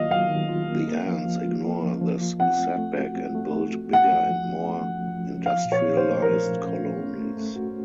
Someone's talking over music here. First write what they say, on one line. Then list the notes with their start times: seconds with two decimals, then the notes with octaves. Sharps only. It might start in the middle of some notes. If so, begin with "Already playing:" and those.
The ants ignore this setback and build bigger and more industrialized colonies.
Already playing: D#3 F#3 A#3 F4 D#5 F5
0.11 F#3 F5
0.30 D#3
0.49 F4
0.69 A#3
0.87 A#3
1.06 F3
1.25 F3
1.44 F4
1.64 A#3
1.82 F3
2.01 F3
2.21 F4
2.40 C4 F#5
2.59 A3
2.78 A3
2.97 F#4
3.16 C4
3.35 A3
3.54 A3
3.73 F#4
3.93 A3 F#5
4.12 F3
4.31 F3
4.50 C#4
4.69 A3
4.89 F3
5.07 F3
5.27 C#4
5.46 F3 F5
5.65 A#2
5.72 C#5
5.84 C#4
5.97 C5
6.03 A3
6.22 F3 A#4
6.41 A#2
6.60 C#4
6.80 A3
6.99 C#4
7.18 A3
7.37 A3
7.56 F#4